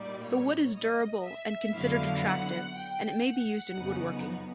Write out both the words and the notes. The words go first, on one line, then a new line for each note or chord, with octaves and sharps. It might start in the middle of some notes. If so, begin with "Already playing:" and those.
The wood is durable and considered attractive, and it may be used in woodworking.
Already playing: A#2 G3 A#3 D#4 D5
C#5
D#5
E5
F2 D3 F#3 B3 E4 F5
F#5
G5
F#5
F2 C#3 F#3 B3 D#4